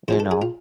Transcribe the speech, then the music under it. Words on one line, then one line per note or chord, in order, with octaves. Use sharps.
You know?
G#2 F3 G#3 C5
A4
G#4
F4